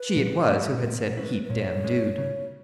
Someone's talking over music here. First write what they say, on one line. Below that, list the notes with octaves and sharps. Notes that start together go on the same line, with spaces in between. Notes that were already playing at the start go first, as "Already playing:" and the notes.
She it was who had said "Heap dam dood."
Already playing: B4
A#2
G#3 C#4 E4
A#2 A#4
G#3 C#4 E4 B4
B4
A#2 C#5
G#3 C#4 E4
C#3